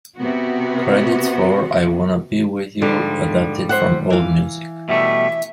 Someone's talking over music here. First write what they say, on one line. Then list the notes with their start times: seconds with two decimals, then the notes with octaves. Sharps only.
Credits for "I Wanna Be with You" adapted from AllMusic.
0.17 C3 B3 F#4
2.82 G#2 D3 F3 G3
3.69 C5 E5 F#5
4.10 E3 F5
4.89 B2 G3 A3 E5